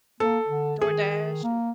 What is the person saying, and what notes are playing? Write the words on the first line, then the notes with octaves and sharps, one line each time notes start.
DoorDash an
A#3 A4
D3
D#3 G#4
A#3